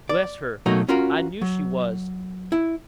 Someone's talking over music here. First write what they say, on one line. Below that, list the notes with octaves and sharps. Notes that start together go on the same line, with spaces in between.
Bless her, I knew she was!
D5
B2 F#3 A3 A#3 D#4 F#4
C#4 F4 F#4 A#4
F#3
E4